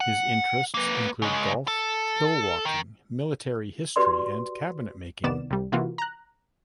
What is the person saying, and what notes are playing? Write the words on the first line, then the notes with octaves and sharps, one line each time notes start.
His interests include golf, hill walking, military history and cabinet making.
F#5
A#3 B4
C#3 G#3
A4
D#3
F#4 G4 B4 D5 C6
C2 D#3 B3 D5 E7
C2 G3
C3 E3 A#3 F4 F#4
A#5 F#6